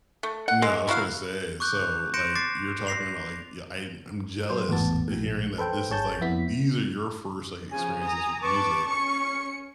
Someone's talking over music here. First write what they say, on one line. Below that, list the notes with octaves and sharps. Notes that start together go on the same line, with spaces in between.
No, I was gonna say, so, like, you're talking about, like, y I I'm jealous hearing that this is, like these are your first, like, experiences with music.
A3
F#5
G#3
F#3 E4 F#4 F5
C#6 D6 F#6 G6
C6 G6 A#6 C#7 D7 E7
D6 A6 C7
A#6 C7 F7
F#3 C5
G#1 E2 A2 B3 A5
A#1 A2
A4 B4 C5 G5
G#1 G#4 C#5 A5 G6
F2 B3 E4 B6
C#3 F3 G#5
A#5 D#6
B4 A5 C#6 D6
C#4 C#7